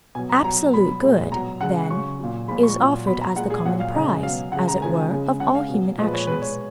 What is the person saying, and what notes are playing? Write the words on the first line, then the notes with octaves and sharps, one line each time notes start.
Absolute good, then, is offered as the common prize, as it were, of all human actions.
B2 F#3 G#5
A#5
B2 F#3 A#5
B2 F#3 B5
A#2 G#3
B2 F#3 A#5
C#3 G#3 F#5
C#3 F#3 C#6
A#2 F#3
A#2 F3 G#3 B5
C#6
A#2 F#3
B2 F#3 B5
A#5
A#2 G#3 F#5
G#4
A#2 F#3 F#5
F5
C#3 G#3 D#5
B2 F#3 F5
C#3 G#3 F#5
A#5
C#3 F3 G#3 G#5
C#3 G#3
C#3 G#3 F#5
F5
B2 F#3
A#2 F3 G#3 D#5
B4
C#5
B2 G#3 B4
C#5